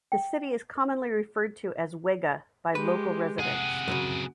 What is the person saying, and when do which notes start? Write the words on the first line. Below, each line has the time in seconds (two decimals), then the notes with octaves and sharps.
The city is commonly referred to as "Wega" by local residents.
0.12 G5
2.75 G#3 G4 B4
3.40 C3 G#4 F#5
3.88 F#2 A2 C#3